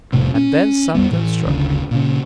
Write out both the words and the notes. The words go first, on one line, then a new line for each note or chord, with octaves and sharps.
And then something struck me.
E1 F2 A2 C3
C#4
E2 G3 B3
A2 E3
F#1 D2 C#3
A#2 C#3